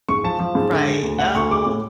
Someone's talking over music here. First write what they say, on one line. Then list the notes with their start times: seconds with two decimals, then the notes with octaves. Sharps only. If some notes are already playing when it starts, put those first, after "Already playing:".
Right, uh-huh.
0.09 G#2 C#6
0.24 F3 A5
0.39 F3
0.55 G#2
0.72 D3
0.88 G#3
1.03 D2
1.18 D2 F#5
1.35 D2 C#6
1.50 G#3 D6
1.66 A2